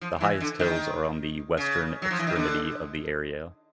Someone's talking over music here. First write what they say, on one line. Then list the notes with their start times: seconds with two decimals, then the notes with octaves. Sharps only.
The highest hills are on the western extremity of the area.
0.01 F3
0.21 E3
0.40 D3
0.59 D#3
1.57 C#3
2.02 F#3
2.11 F3
2.19 E3
2.27 D#3
2.35 D3